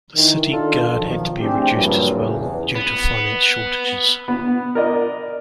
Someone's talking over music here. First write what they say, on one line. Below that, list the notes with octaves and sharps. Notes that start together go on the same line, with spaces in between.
The city guard had to be reduced as well due to finance shortages.
D#3 E3
D#3 D4 D#4 F4 A4
B1 D#3 F3
A3 C4 D4 E4 G4 G#4
G2 A#2 C#3 F3 F#3 E4
E2 C#3
B3
B3
A#4 D5 D#5